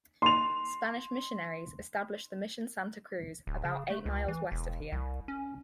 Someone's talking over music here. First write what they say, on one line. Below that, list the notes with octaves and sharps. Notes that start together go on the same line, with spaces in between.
Spanish missionaries established the Mission Santa Cruz about eight miles west of here.
C6 F7
D1
C#3
A3
C#2
E3
E1
C2
C#4